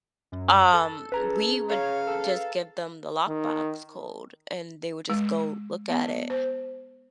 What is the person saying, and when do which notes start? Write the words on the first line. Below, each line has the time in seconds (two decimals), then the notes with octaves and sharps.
Um, we would just give them the lockbox code, and they would just go look at it.
0.32 F#2
0.73 A4
1.12 C#4 G#4 B4 A#5
1.69 C#5 F5
2.07 A4
3.28 D#3
5.10 G#3
5.89 B3
6.30 C5